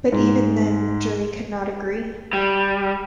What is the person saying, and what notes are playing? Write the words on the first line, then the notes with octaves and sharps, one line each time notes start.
But even then the jury could not agree.
G#2
G3